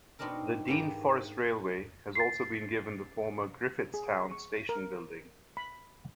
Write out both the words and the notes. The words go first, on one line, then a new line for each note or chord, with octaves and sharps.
The Dean Forest Railway has also been given the former Griffithstown Station building.
B2 B3 C4 D4 D#4 A#4
G#2 A#3 B3 G4 G5
A6 C7
G#4
C#6
A#4
B5